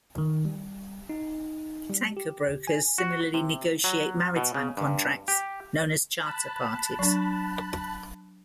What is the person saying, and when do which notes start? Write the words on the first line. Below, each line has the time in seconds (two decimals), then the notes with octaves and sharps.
Tanker brokers similarly negotiate maritime contracts, known as Charter Parties.
0.18 D#3
0.45 G3
1.09 D#4
1.89 G3
2.17 G4
2.67 G#5
2.98 F#4
3.34 C3
3.84 F#3
4.36 B2
4.54 C#3
4.77 G2
5.28 G4
6.25 A5 B5 F#6
6.99 F#3 D4